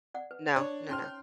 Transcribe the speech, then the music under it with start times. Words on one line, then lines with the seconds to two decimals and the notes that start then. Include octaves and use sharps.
No. No, no.
0.14 D5 F#5
0.31 B4
0.56 D4 C#5
0.89 C#4 D#4 C5 G5 C6 F6
1.04 C#5